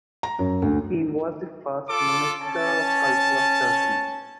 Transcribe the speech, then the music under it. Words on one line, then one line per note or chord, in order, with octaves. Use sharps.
He was the first Minister of Culture of Turkey.
A#5
F#2
D2
F4 A4 D6
C#4 A5